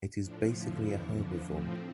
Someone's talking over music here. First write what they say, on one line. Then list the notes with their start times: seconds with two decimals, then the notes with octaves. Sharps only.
It is basically a herbivore.
0.20 A2 F3 D4
0.52 F2 D3 F3 E4
0.83 E2 E3 E4
1.14 F2 D3 F3 D4
1.46 A2 F3 C4